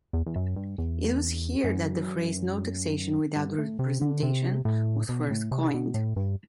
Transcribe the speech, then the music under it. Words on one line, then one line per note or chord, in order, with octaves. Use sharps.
It was here that the phrase "no taxation without representation" was first coined.
E2
E2
F#2
G2
E2
F#2
G2
A2
C3
D3
C3
A2
B2
A2
C3
B2
A2
G2